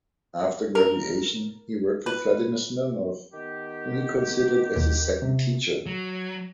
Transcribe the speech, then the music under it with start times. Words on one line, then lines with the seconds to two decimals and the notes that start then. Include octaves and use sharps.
After graduation he worked with Vladimir Smirnov, whom he considered as his second teacher.
0.75 A#4
2.06 B4
3.33 D#3 B3 G4
4.76 D#2 B2
5.22 C3
5.86 F#3